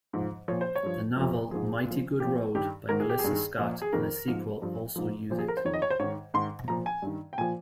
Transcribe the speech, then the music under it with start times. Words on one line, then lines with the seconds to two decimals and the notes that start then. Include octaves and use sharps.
The novel "Mighty Good Road" by Melissa Scott and a sequel also use it.
0.13 G#2 F3
0.48 A#2 F3 C#5
0.61 C5
0.76 C#5
0.83 G2 F3
1.16 F2 C3 F3
1.51 G#2 F3 G#4
1.85 A#2
1.91 F3
2.20 A#2 F3 G4
2.55 G2 D#3 G4
2.89 G#2 D#3 A#4
3.00 G#4
3.09 G4
3.19 G#4
3.24 G2 D#3
3.59 A#2 F3
3.82 G#4
3.93 F2 D#3 A#4
4.27 G#2 F3
4.62 G2 F3
4.96 G#2 F3
5.30 A#2 F3 C5
5.39 G#4
5.48 A#4
5.57 C5
5.65 F2 D#3 C#5
5.74 D#5
5.82 C#5
5.90 C5
5.99 G#2 D#3 C#5
6.34 G#2 D#3 C6
6.68 A#2 F3 A#5
6.86 G#5
7.02 G2 D#3
7.33 G5
7.38 A#2 F3 G#5